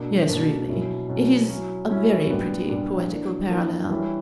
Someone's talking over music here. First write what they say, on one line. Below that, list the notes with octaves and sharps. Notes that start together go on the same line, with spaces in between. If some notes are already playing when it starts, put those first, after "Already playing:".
Yes, really; it is a very pretty poetical parallel.'
Already playing: B2 A#3 D4
B2 A#3 D4
B2 F#3 C#4 E4
B2 F#3 C#4 E4
F#3 C#4 E4
F#3 C#4 E4
A#2 G3 B3 D4
A#2 G3 B3 D4
E3 A#3 D4
E3 A#3 D4
E3 G3 C#4 E4